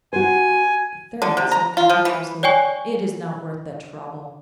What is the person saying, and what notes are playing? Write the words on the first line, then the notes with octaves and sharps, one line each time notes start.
But the third said contemptuously, 'It is not worth the trouble!
F#4 C5 G#5
D3
C3
A#5
F4
F3
E3
C#5 D5 G5 G#5 C#6